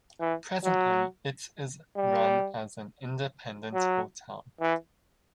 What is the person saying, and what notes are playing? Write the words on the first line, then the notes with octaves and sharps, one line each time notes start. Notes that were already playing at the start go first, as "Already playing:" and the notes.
Presently it is run as an independent hotel.
E3
F#3
G3
F#3
E3